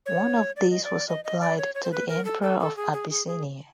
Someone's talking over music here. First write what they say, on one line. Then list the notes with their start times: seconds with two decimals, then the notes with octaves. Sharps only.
One of these was supplied to the Emperor of Abyssinia.
0.06 C#5
0.57 D5
0.70 D#5
0.84 D5
1.08 D#5
1.25 D#5
1.41 D5
1.58 C#5
1.75 C#5
1.84 C5
1.92 B4
2.08 A#4
2.25 A4
2.42 A4
2.60 A4
2.77 G#4
2.93 G#4
3.10 G#4
3.27 G#4